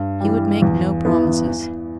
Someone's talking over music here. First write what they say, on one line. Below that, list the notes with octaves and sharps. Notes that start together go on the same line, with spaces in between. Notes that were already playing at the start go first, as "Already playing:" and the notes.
He would make no promises.
Already playing: G2
E3 G3
E2
E3 B3 E4
E3